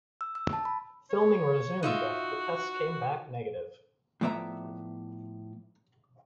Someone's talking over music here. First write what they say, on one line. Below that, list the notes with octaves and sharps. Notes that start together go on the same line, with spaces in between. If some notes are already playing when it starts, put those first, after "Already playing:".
Filming resumed after the tests came back negative.
E6
E6
A5
B5
C#5
D#4 F4 F#4 E5
A2 F3 B3 D5 E5 A#5